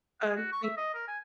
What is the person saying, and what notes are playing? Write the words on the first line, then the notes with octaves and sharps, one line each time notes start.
Um, thi
G#4
F#4
C#6
E5
D#5
A#4
G#5